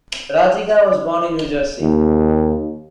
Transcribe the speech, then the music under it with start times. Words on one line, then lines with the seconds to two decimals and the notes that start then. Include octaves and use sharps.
Rah Digga was born in New Jersey.
1.81 D#2